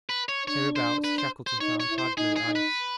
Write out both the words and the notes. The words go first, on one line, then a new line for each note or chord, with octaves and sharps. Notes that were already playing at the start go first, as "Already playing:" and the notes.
Hereabouts Shackleton found hard blue ice.
B4
C#5
D4 C#5
C5
B4
C5
C5
D#4 C#5
C#5
E4
C5
D#4 G#4
G#4
D#4
B4